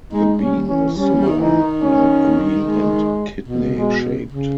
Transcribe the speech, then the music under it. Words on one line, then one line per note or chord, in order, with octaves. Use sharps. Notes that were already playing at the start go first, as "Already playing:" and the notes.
The bean is small, light green, and kidney-shaped.
G#3 D#4
G3 C#4
E3 C#4
G3 C#4
E3
G3
D#3
E3 D#4
D#3
C#4
G#3
B2
G#3
C#3